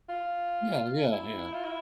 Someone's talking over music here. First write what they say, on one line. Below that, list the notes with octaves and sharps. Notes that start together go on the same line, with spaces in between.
Yeah, yeah, yeah.
F4
E4
F4
E4